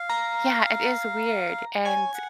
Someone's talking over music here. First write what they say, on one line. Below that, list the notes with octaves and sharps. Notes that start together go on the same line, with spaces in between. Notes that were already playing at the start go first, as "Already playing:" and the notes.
Yeah, it is weird. And
Already playing: F5
A#5
C#5 G#5
F#5